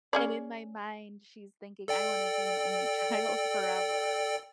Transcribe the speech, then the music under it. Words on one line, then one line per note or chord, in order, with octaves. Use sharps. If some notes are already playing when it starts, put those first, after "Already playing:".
and in my mind, she's thinking, "I wanna be an only child forever."
C#4 G#4 D5
A4 D5 G5